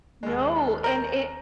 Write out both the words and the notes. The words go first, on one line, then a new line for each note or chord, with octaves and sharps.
No. And it
D#2 G#3
A#4 A#5 G6 A#6